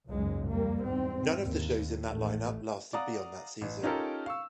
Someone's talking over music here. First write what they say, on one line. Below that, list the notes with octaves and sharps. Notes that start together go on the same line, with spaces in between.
None of the shows in the lineup lasted beyond that season.
F#1 C#2 G#2 F#3 G#3
F2 G3 A#3
E2 G#2 C4
D#2
A1 A3
D5 F5 F#5 A#5 D#6
A1
C#4 D#4 F4 G4 A4 A#4
F5 C#6 E6